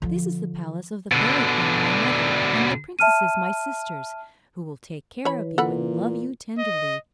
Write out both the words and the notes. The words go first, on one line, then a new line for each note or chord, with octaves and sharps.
This is the palace of the fairy-queen my mother, and the princesses my sisters, who will take care of you, and love you tenderly.
D3 F3
B2 D3
E5 A5 F6 D#7
E3 C#5 B5
A#2 A4 F#5 B5
D#5